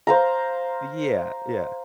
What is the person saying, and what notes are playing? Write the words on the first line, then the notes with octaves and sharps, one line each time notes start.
Yeah, yeah.
C5 F5 A#5